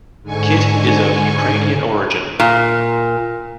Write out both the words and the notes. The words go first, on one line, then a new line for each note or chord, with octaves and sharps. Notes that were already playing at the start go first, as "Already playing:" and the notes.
Kit is of Ukrainian origin.
G#2 D3 G#5 C#6
A#2